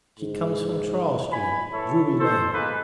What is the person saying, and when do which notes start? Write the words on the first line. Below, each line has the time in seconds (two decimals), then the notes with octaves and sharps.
She comes from Charles Street, Drury Lane!'
0.19 G#2
1.32 B2 G#5 B5
1.72 E3 E4 A4 C#5
2.19 A4 C5
2.53 G#3 A#3 B4